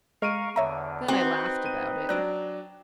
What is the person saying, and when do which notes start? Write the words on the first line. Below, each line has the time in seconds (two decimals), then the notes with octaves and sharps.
Then I laughed about it.
0.22 G#3 F5 A#5 C#6 F6 D7 D#7
0.56 E2 D3 C#5 E5 A#5
1.08 C4 D#4 F#4 B4 F#5 F#7
1.66 D#7
2.09 F#3 D4 F#6 A#6 D7